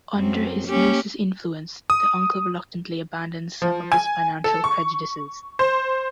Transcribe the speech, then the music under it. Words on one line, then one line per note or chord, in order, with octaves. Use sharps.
Under his niece's influence, the uncle reluctantly abandons some of his financial prejudices.
F#2 C4
A#3 C#4 G4
D#6
F3
G#5
A4
C#6
C5